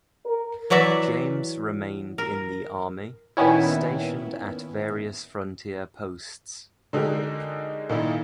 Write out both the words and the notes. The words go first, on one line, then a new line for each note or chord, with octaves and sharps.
James remained in the army, stationed at various frontier posts.
A#4
E3 F#3 F#4 D5 E5
A#4
A#2 D#3 B3 C#4 E4
D3 G#3 D#4 F#4 G4 A#4
A#2 D#3 D#4 E4